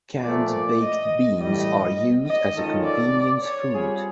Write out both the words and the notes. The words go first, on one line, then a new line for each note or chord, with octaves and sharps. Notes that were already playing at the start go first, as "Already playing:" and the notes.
Canned baked beans are used as a convenience food.
A#2 F3 A3 D5
D5
D#5
A2 E3 G3 D#5
D#5
D#3 G#3 C#4 F4 A4
D5
C#5
G3 C4 F4 G#4